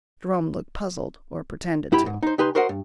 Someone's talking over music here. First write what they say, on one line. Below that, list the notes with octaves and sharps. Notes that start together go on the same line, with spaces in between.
Jerome looked puzzled, or pretended to.
F#2 E4 G4 B5
G#2
D#4 C5
C#2 D#4 G4 B4 G#5 C6
F#4 A#4 C5 D#5 F#5
G2